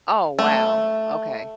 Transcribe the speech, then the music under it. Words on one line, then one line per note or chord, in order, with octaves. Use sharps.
Oh, wow, okay.
A3